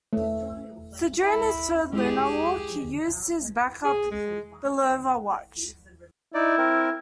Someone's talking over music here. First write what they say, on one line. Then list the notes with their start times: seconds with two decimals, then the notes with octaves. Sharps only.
So, during his third lunar walk, he used his backup Bulova watch.
0.13 A3
1.21 E4
1.93 G#3 E4 G4 G#4
3.84 G#4
4.11 G#3
6.34 D#4 E4 D5
6.58 C4 A#4